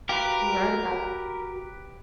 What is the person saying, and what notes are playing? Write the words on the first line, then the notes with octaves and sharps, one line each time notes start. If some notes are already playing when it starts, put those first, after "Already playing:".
You're right about it.
F#4 G4 A#4 B4 F5 G5